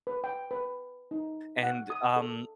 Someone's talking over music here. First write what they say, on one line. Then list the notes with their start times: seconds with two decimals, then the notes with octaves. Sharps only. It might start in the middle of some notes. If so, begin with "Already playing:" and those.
and, um,
0.07 B4
0.24 G5
0.51 B4
1.11 D#4
1.63 F#5
1.90 D#6
2.16 A4